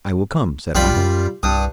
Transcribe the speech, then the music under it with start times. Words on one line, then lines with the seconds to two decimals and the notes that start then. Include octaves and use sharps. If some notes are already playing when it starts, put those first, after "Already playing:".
"I will come," said I.
0.75 B1 G3 F4 B5
0.96 F#2
1.43 C2 G2 D#6